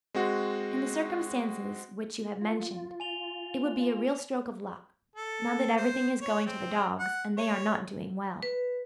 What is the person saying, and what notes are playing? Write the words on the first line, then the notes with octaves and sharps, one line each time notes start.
In the circumstances which you have mentioned, it would be a real stroke of luck, now that everything is going to the dogs, and they are not doing well.
G#3 C4 F#4
F4
G#5 F7 G7
A4
C5
C#5
C4
F#5
C#5
B4